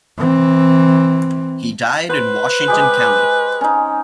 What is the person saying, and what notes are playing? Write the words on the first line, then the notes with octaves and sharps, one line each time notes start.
He died in Washington County.
E3 C4
B4 C5
G#3 G4 G#4
C#4 D#4